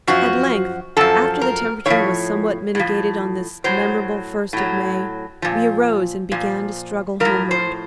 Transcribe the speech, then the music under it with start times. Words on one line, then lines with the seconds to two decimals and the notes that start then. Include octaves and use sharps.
At length, after the temperature was somewhat mitigated on this memorable first of May, we arose and began to struggle homeward.
0.07 F#2 F3 F#4
0.97 F#2 F3 A4
1.41 A#4
1.86 A2 F3 C#5
2.75 A2 F3
3.64 A2 F#3 C5
4.53 A2 F#3
5.42 A#2 F3
6.32 A#2 F3
7.20 A2 F3 A#4
7.51 C5